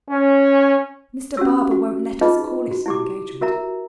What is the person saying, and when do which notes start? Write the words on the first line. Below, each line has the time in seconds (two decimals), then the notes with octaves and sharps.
Mr. Barbour won't let us call it an engagement.
0.10 C#4
1.37 C#4 F#4 G4 E6
1.71 F#4
2.21 D#4 F4 G#4 B4 D#5
2.71 F#4
2.86 E4 G4 D6
3.41 F#4 A#4 E5 A#5